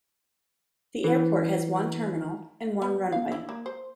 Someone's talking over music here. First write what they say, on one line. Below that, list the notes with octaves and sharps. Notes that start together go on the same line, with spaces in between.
The airport has one terminal and one runway.
E3
B3
F5
E4
A#3
C5